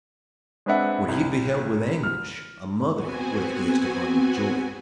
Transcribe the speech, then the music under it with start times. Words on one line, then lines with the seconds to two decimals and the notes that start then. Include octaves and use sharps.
What he beheld with anguish, a mother would have gazed upon with joy.
0.66 G#3 C4 D4 B4 E5 F#5
1.08 C2
2.03 F6
2.94 B3 C4 F#4 G#5